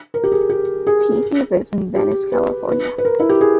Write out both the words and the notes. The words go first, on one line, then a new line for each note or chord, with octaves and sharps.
Teefy lives in Venice, California.
A#4
G4
G#4
G4
G#4
G4
B4
B4
B4
A#4
E4
G4
G#4